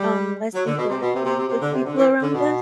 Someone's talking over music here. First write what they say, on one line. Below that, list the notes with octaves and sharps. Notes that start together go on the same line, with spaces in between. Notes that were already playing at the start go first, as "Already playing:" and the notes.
um, less interactions with the people around us.
Already playing: G3
F#3
D3
B2
C3
B2
C3
C3
C3
C3
D3
C3
D3
E3
D3
B2